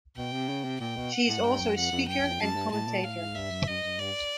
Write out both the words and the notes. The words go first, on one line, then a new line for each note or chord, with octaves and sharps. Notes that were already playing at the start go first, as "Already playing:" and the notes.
She is also a speaker and commentator.
B2 G5
C3
C#3
C3
A#2 G5
B2
F#5
A2
F#2
G2 G5
F#2
F2 F#5
F2
F#2 G5
F2
F#2 A5
G2
A2 A5
A#2
A2 F5
G#2
G2 E5
F#2
F#2 D#5
F#2
G2 D5